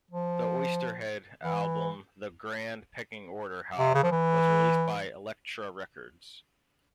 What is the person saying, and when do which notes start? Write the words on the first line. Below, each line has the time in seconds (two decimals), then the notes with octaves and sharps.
The Oysterhead album "The Grand Pecking Order", however, was released by Elektra Records.
0.11 F3
1.44 E3
3.78 C3
3.94 C#3
4.03 F3
4.11 E3